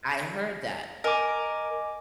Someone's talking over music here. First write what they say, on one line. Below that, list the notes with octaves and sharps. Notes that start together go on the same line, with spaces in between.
I heard that,
A#4 D#5 G#5 D6